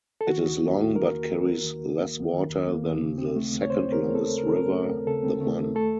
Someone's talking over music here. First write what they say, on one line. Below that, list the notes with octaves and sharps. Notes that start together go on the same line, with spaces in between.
It is long but carries less water than the second longest river, the Mun.
A4
D#3 F#4
D#2
A#3
D#2
D#3 A#4
D#2
A#3
D#2
D#3
D#2
A#3
D#2
D#3
D#2
A#3
D#2
C#3
C4
A3
D#2
C#5
C#3 C5
C4
A#4
A3
A4
D#2
C#3 A#4
A4
C4 A#4
A3
D#2
C#3 A4
C4
A3
D#2
A3 A4